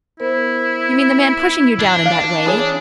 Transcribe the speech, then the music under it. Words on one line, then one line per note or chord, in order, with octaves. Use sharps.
"You mean the man pushing you down in that way?"
B3 E4 A#4 C5
D4
F5
E3 G#4 C#5